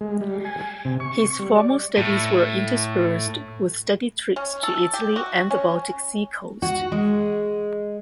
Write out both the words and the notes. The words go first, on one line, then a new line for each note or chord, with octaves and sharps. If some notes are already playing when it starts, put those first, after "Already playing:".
His formal studies were interspersed with study trips to Italy and the Baltic Seacoast.
G#3
G3
G#5
C3
C#6
G3
D5
A2
C#4
A4
G4
F#4
C#4
F#4
G#3